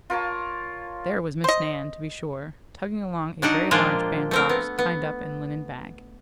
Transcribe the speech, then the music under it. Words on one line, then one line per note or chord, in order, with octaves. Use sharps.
There was Miss Nan, to be sure, tugging along a very large band-box tied up in linen bag.
F4 A#4 C#5 A5
C5 D#5
F#3 D4 D#4 F#5
A#2 F3 G#3 A#3 D4 F4
A3 C4 A#4
B3
B3